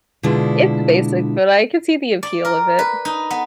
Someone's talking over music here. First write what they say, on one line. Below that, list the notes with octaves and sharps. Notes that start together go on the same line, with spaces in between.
It's basic, but I could see the appeal of it.
B2 D3 G#3 D4 E4 F4
D5
A#4
B4
D#4
B3